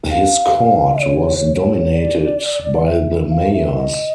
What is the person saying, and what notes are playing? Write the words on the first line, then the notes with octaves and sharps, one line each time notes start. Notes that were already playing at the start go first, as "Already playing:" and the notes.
His court was dominated by the mayors.
F5
C#5
D5
E5
F5
E5
D#5